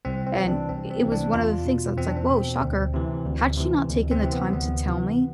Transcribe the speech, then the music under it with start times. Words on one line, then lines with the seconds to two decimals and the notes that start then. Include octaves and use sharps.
and i it was one of the things that's like, whoa, shocker. Had she not taken the time to tell me,
0.05 C2 C4
0.26 C4
0.37 C3 E3
0.48 D4
0.69 C2 C4
0.91 C4
1.02 C3 E3
1.12 D4
1.33 E2 F4
1.65 B2
1.98 E2 C4
2.07 D4
2.17 C4
2.30 B2
2.61 D2
2.93 C3 E3
3.26 D2
3.57 C3 E3
3.90 D2
4.11 C4
4.22 C3 E3
4.33 B3
4.53 D2 B3
4.86 C3 E3